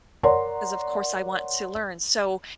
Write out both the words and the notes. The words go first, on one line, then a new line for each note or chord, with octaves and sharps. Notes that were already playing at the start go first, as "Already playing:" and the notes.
of course, I want to learn, so,
A#4 C#5 D5 F#5 A#5 C6